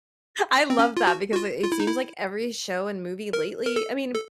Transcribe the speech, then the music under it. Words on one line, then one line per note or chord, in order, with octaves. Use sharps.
I love that because i it seems like every show and movie lately I mean,
C4
C#4
F4
F#4
F#4
F4
F4
E4
D#4
E4
A#4
A#4
A4
A4